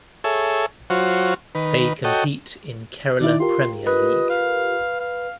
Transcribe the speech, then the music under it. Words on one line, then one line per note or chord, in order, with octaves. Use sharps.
They compete in Kerala Premier League.
G#4 A4 C#5 E5
F#3 F4 F#4 C5 C#5
D#3 B4
F#4 A4 C#5 D#5 G5
D#3 D#4 E4 D5
F4 G4 A#4 C6
B4 D#5
F5
F5